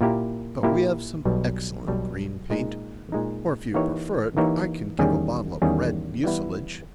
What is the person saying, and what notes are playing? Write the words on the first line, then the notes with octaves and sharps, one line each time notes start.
"But we have some excellent green paint, or, if you prefer it, I can give a bottle of red mucilage."
A#2 A#3 E4 G4
A#2 A#3 E4 G4
B1 B2 G3
B1 B2 G3
A#2 G#3 D#4
A#2 G#3 D#4
E3 A#3 D#4 G4 C#5
E3 A#3 D#4 G4 C#5
E2 D#3 G3 C#4 G#4
E2 D#3 G3 C#4 G#4
E3 G3 B3 E4